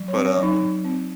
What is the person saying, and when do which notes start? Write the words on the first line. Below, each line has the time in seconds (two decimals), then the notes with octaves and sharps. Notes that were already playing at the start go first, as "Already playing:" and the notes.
but, um.
Already playing: F#3
0.08 C#5
0.14 C4
0.25 C#5
0.37 F#3
0.43 D#4
0.61 F#3
0.84 C4